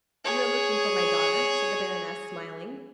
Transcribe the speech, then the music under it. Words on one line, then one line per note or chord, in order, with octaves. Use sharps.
"You are looking for my daughter?" said the baroness, smiling.
G#4 C#5